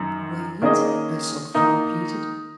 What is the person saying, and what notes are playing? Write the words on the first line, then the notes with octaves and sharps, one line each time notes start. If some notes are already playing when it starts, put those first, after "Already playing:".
"Wait?" I softly repeated.
Already playing: F#2 D#3 F#3
D#3 A#3 C#4 G#4 D#5
D#3 A#3 D#4